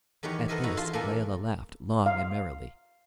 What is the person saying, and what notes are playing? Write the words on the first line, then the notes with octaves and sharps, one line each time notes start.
At this Layelah laughed long and merrily.
E2 D#3 G4 B4 C#5
B3 A4 A#4 C5 D#5 E5
D#4 E4 F#4 C#5
E2 F4 A5 C6
A#2 E3 A#3 D4 A4 G#5
F5